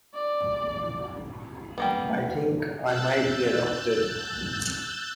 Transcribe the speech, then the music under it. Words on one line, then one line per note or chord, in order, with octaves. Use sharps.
I think I might be adopted.
D5
G3 A#3 B3
E6 F#6 G6 A6